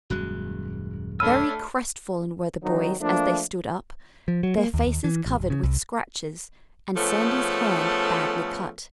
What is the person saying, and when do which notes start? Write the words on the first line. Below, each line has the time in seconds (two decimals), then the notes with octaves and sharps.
Very crestfallen were the boys as they stood up, their faces covered with scratches and Sandy's hand badly cut.
0.10 D#1 F#2 G#3 F#4 F#6
1.20 A3 D4 C#5 B5 E6 F6 D#7
2.63 D#3 F#3 C4 D#4
3.01 F3 A3 A#3 D4
4.28 F3
4.43 F#3
4.58 A#3
4.74 D#2
4.86 D#2
5.04 E3
5.26 A1
5.38 D1
5.50 C#3
5.63 C2
6.97 F3 A3 B3 C#4 G#4 A4